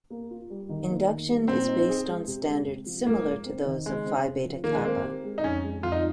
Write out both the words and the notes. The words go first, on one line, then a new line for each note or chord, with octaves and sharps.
Induction is based on standards similar to those of Phi Beta Kappa.
A#3
F4
G3
D#3
A#3
D#3
G3
A#2 C4
D#4
G#4
G#3
C3
G#3
C3
F3
G#2 A#3
G#3
C4
D#3
C#3 G#3
C4
C#3
F3
D#3 A#3
G#3
A#3 C4
G4
G#3
D#4
F2 C#4
G#3
F2 F4
D#4